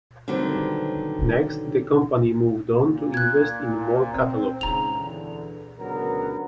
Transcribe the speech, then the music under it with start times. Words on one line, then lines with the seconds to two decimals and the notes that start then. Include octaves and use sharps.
Next, the company moved on to invest in more catalogs.
0.28 D3 D#3 F#3 G3 B3 C4
2.77 A#2
3.14 F#6 G#6
4.14 C4
4.61 C#2 G#2 C#3 A#5 F7
4.95 E2 D3
5.79 C#2 D3 F#3 B3 A#4